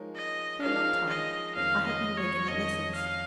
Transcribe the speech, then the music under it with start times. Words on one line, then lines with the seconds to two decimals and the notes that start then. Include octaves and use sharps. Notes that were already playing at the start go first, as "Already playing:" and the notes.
For a long time I had no regular lessons.
Already playing: F3 G#3 D#4 A#4 C#5
0.16 D#5
0.62 F3 G#3 D#4 A#4 C#5 F5
1.09 D#5
1.55 F2 D#3 C#4 F5
1.87 D#5
2.18 C#5
2.48 F2 D#3 C#4 D#5
2.96 F5